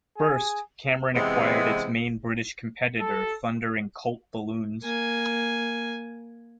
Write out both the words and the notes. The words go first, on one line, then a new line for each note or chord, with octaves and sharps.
First, Cameron acquired its main British competitor Thunder and Colt Balloons.
G#4
C3 E3 G#3 B3 C4
A4
A#3 G#5